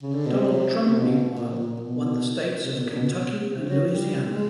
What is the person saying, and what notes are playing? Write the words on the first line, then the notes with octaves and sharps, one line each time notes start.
Donald Trump meanwhile, won the states of Kentucky and Louisiana.
C#3
D3
B2
C3
C3
B2
A#2
A#2
B2
C3
B2
A#2
B2
B2
C3
F3
F#3
G3
G#3